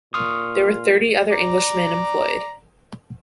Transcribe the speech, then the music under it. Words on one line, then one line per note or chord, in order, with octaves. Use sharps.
There were thirty other Englishman employed.
A#2 C6 C#6 D#6 F6
D5 A#5